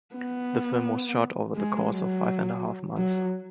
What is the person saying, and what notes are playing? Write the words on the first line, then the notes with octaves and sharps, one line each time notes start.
The film was shot over the course of five-and-a-half months.
B3
G#3
F#3
F#3